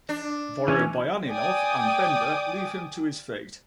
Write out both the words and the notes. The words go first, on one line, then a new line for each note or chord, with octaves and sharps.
Vorobyaninov and Bender leave him to his fate.
D4
E3 C#4 C#5
D5 G5 G#5 D6 D#6